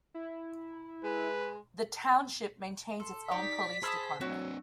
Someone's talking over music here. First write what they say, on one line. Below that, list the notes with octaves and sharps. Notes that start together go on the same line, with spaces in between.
The township maintains its own police department.
E4
G#3 B4
A4 C6
D#4 G4 D5 B6
G#4 C5 A5 B5 D#6 E6
F#3 C4 D4 F#4